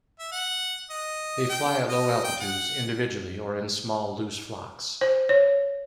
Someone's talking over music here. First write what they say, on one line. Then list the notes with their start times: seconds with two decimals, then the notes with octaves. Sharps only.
They fly at low altitudes, individually or in small, loose flocks.
0.19 E5
0.32 F#5
0.90 D#5
1.50 G5
1.89 D#5
2.24 G5
2.41 F#5
5.01 C5
5.29 C#5